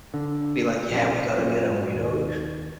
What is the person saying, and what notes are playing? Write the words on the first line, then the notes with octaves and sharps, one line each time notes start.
be like, "Yeah. We gotta get him," you know,
D3
A#1 F#2 C3
F#1
F#2 A#2
G#2 F#3
D#2